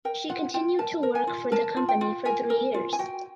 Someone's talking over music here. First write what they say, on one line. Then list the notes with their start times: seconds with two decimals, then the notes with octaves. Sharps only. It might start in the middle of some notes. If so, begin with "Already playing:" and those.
She continued to work for the company for three years.
0.05 A#4 G5
0.29 F4 F#5
0.54 F4 G5
0.79 A#4 A5
1.03 A#4
1.15 G#5
1.27 F4
1.52 A#4 A5
1.77 F4
1.89 G5
2.01 F4
2.25 A#4 G#5
2.50 A#4
2.74 F4
2.93 G#5
2.99 F#4 G5